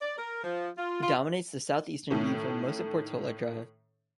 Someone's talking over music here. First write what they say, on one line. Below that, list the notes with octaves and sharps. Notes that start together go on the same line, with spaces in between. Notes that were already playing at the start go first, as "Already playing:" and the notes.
It dominates the southeastern view from most of Portola Drive.
D5
A#4
F3
F4
F4
A2 D#3 A3 C#4